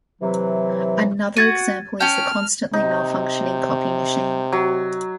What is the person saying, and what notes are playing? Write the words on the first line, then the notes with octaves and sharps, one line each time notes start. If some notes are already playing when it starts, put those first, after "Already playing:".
Another example is the constantly malfunctioning copy machine.
C3 E3 F#3
F#4 G#6 A6 D#7
C#4 G5 A5 F6
C3 D#4
F#3